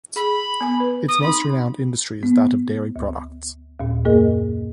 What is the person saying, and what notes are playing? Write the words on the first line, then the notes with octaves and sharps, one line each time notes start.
Its most renowned industry is that of dairy products.
G#4 B5
B3 G#5
B4
D#6
C4 D#4 B5
B3
D2
D#2 A#2
F#2 A#3 G#4 A#4 D#5